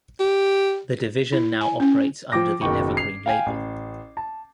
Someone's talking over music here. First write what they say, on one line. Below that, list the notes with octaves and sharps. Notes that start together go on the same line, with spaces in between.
The division now operates under the Evergreen label.
G4
E4
G#5
C#4
F3 G5 D6 A#6
F#1 B2 D#3 G5 C#6
C7 F7
F5 G5 G#5
A1
A5